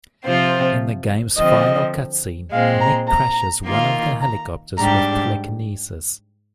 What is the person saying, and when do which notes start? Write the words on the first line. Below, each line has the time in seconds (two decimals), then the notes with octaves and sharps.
In the game's final cutscene, Nick crashes one of the helicopters with telekinesis.
0.25 C3 F3 C4 F4 C5
1.38 D3 F3 C4 D#5
2.52 A#2 G#3 C4 F5
2.80 A#5
3.08 A#5
3.65 D#3 A#3 F4
4.21 A#5
4.77 G#2 G3 D4 G4 A#5